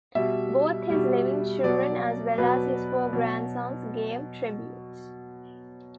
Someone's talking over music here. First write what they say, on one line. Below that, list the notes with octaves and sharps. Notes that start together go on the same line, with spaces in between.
Both his living children as well as his four grandsons gave tributes.
B2 G3 E5
B2 G3
B2 F#3 D5
B2 F#3 B4
B2 F#3